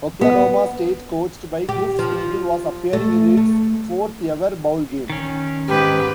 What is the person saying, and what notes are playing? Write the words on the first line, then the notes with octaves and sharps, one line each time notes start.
Oklahoma State, coached by Cliff Speegle, was appearing in its fourth ever bowl game.
B3
G4
F3
A3
A3
D#3 C#4
G#2 G4 B4